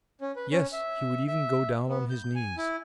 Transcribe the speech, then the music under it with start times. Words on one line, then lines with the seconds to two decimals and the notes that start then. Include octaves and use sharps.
"Yes, he would even go down on his knees."
0.21 C#4
0.36 B4
0.52 C#4
0.73 E5
1.28 E5
1.89 B3
2.10 G6
2.35 G#5
2.57 E4